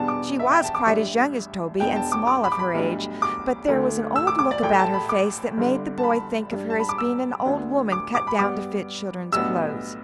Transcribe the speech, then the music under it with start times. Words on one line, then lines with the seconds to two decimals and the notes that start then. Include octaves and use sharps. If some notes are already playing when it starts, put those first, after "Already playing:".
She was quite as young as Toby, and small of her age; but there was an old look about her face that made the boy think of her as being an old woman cut down to fit children's clothes.
Already playing: E2 B2 G3 B3 D4 A5
0.08 D6
0.39 E5
0.52 G5
0.64 A5
0.75 D6
0.87 A1 G2 G3 D4 E5
1.80 E1 E2 B2 B3 D4 G5
1.96 A5
2.12 D6
2.27 D6
2.44 B5
2.52 D6
2.59 B5
2.74 B1 A2 G3 D4
3.22 D6
3.68 D2 D3 A3
4.16 E6
4.27 D6
4.39 D6
4.51 D5
4.63 A1 A2 A3 G5
4.79 A5
4.94 B5
5.09 D6
5.57 G1 G2 D3
5.98 A5
6.03 B5
6.51 G2 G3 D4
6.70 A5
6.79 B5
6.89 D6
6.98 E6
7.45 D2 D3 B3 D4
7.92 D6
8.15 D6
8.27 B5
8.39 G2 G3 B3 D6
9.33 B1 A2 G3 B3 D4 E6